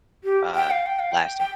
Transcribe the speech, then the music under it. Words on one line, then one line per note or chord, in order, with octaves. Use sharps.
um, lasting?
G4
G5
F5
G5
F5
G5
G5